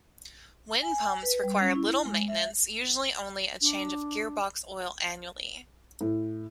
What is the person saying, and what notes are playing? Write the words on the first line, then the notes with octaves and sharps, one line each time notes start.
Wind pumps require little maintenance-usually only a change of gear box oil annually.
G#5
B4
G3
C#4
E4
G#3
E5
D4
A2